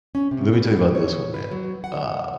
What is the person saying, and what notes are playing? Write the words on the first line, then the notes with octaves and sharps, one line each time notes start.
Let me tell you about this one, man, uh,
C#4
C3
B4
C#5
B4
F#3
F#5